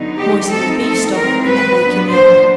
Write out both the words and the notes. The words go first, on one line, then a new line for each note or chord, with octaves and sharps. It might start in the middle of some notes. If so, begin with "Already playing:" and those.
Moisten with beef-stock and let bake in the oven.
Already playing: D3 F#3 B3 D#4
G4
F3 A3 C4 D#4 A4
A4
E3 G#3 C4 A#4
B4
A#2 F#3 B3 D4
C5